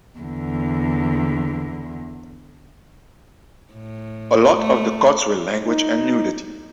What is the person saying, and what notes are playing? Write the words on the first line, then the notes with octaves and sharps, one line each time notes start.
A lot of the cuts were language and nudity.
E2 D3
A2
A3
D#4